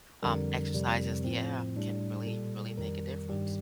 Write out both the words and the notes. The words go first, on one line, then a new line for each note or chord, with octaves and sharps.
um, exercises, yeah, can really, really make a difference.
F2 D3 G3 A#4
F2 C3 G3
A2 F3 C4
A2 G3 D4
A#2 G3 A4
F2 D#3 G3 A#4
G2 D#3 G3 G4